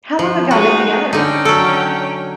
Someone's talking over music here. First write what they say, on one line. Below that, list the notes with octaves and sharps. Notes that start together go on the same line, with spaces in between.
How long have y'all been together?
F3
G#3 D#4 F#4
D3 C#4 D#4 G5
F#3 A4